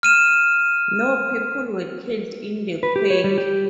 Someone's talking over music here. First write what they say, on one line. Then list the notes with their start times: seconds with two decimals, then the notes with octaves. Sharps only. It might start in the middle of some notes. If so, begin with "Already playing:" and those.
No people were killed in the quake.
0.03 F6 D#7 E7
2.83 B4
2.96 G4
3.10 C#5
3.24 G3
3.38 G4